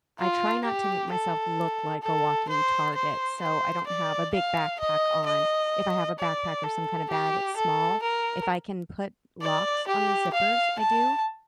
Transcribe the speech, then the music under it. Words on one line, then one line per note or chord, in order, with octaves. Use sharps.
I try not to make myself look like a walking target, so, I don't have a big backpack on, if I have a backpack, or some kind of bag, it's small, if I can put locks on the zippers, I do,
F4
G4
A4
A4
C5
C5
C5
D5
F5
D#5
D#5
D5
A4
G4
A4
A#4
D5
G4
F5
A5